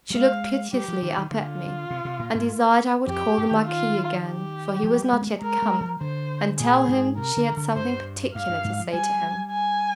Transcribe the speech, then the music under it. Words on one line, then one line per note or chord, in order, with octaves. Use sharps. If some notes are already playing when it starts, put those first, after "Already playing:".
She looked piteously up at me, and desired I would call the Marquis again, for he was not yet come, and tell him she had something particular to say to him.
G3
G#3 F5
G3 G4
F3
D#3
D#3
D3 F4
C3
C3
A#2
G#2
F2 G4
G2
D#3
F4
G4
F3
G3
G#3
C4
A#3
G#3 A#4
G#3
F3
D3 C5
A#2 G#4
G#2
C3 A#4
D3
D3
G2 C5
G2 F5
G2
G#2
F3
G3 G#5
G#5